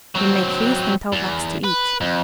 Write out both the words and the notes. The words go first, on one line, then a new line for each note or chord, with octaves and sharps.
He make feast and tell Blacks to eat.
F#3 C4
E2
B4
F2